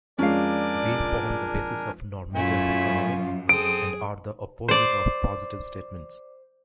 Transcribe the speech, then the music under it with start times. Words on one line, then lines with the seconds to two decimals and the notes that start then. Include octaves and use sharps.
They form the basis of normative economics, and are the opposite of positive statements.
0.19 F2 G#3 C#4 D4 A#4 D5 F5 G#5
2.36 F#2 A3 C#4 E4 F4 G#5
3.49 C4 G#4 A4 D#6 D7
4.68 C5 D5